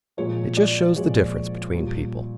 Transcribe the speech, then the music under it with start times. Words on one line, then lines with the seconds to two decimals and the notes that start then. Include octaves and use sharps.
It just shows the difference between people.
0.17 A#2 F3 G#3 C#5
0.57 D5
0.96 A#2 F3 G#3 C#5
1.75 A#2 G3